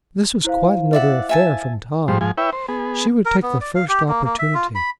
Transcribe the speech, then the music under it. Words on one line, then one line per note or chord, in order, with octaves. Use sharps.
This was quite another affair from Tom! She would take the first opportunity.
E4 C5 F5
D5 E5 F#5
E5 G#5 A5
G#2 F3 G3 C5
G#2 F3 G#5
E4 B4 C#5 E5 G5
C5
B3 G#4
A#4
B3
D5
F5
G4
A#3
A#3
E5
F4
B5